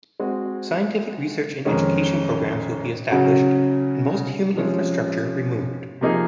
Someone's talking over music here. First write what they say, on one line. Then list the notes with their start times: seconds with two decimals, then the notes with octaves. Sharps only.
Scientific research and education programmes will be established and most human infrastructure removed.
0.20 G#3 C4 F#4
1.65 F2 D#3 G#3 C#4
3.10 C#3 F#3 C#4 F#4
4.56 C3 F3 G#3 C#4
6.01 C3 F3 A#3 D#4 G#4